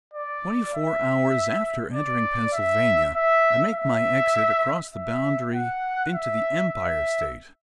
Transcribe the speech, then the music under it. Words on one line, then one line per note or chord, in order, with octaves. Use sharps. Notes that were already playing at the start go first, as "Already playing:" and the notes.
Twenty-four hours after entering Pennsylvania I make my exit across the boundary into the Empire State.
D5
E5
D5
E5
E5
E5
E5
F#5
E5
E5